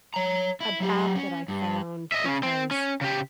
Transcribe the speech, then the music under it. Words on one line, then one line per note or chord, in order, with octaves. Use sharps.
an app that I found because
C#5 A#5
E4
F#3 G4
C#4
G2
D#5 E5
C#3 C#4
C4
C#4
C#3 G4